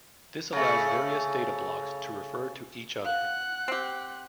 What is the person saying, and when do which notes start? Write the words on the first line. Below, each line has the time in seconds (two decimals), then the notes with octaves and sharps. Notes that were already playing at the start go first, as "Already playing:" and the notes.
This allows various data blocks to refer to each other.
0.53 C#3 A3
3.05 F5 F#5 F#6
3.68 C4 G4